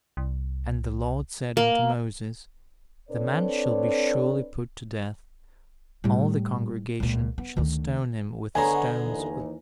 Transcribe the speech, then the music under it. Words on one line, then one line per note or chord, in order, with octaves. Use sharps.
And the Lord said unto Moses, The man shall be surely put to death: all the congregation shall stone him with stones without the camp.
C2
A#3
C4 D4 A4 B4 C#5 D5
A2 G3
C#2 A#2
B3
D2 D#3
D3 B3 G#4 C#5 D#5 F#5 G#5 A#5
D#2 E3